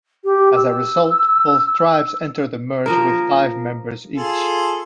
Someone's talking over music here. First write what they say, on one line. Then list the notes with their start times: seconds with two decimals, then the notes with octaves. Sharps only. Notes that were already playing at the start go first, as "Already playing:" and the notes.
As a result, both tribes entered the merge with five members each.
0.24 G4
0.56 E6
2.86 F3 A#3 A#4
4.16 F4 G#4 A4